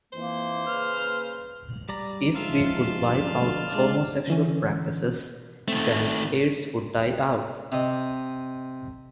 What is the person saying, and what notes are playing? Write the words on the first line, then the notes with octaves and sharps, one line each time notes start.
If we could wipe out homosexual practices, then Aids would die out.
F2 E3 A#3 C5
C#3 C#4 B4 F6
G3 D5 A#5
G#2 F3 F4 E5 F5 A5
G2
D3
G#3 D4 D5
D3 E3 C#4
D#3 A3 C4
C3 D#5